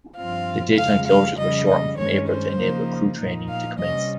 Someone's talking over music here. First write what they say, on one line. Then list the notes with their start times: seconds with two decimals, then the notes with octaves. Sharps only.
The daytime closures were shortened from April to enable crew training to commence.
0.16 G2 F3 C4 F4 F5
0.77 F2 C#3 F3 G#3 F5
1.07 F5
1.37 F2 C#3 G3 D#5
1.67 D#5
1.97 G2 D#3 G#3 C#4 C#5
2.28 C5
2.58 C#3 F3 A#3 D#4
3.19 A#2 F3 A#3 D#4
3.49 F5
3.79 C3 G3 C#4 D#5